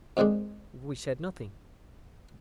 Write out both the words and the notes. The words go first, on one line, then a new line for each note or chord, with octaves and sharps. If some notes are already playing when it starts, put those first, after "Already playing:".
"We said nothing."
F2 G#2 D#3 G#3 D4